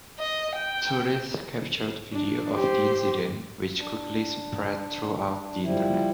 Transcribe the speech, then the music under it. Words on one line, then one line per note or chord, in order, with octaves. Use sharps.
Tourists captured video of the incident, which quickly spread throughout the Internet.
D#5
G5
D4
G4 C5
D4
F3 G3 E4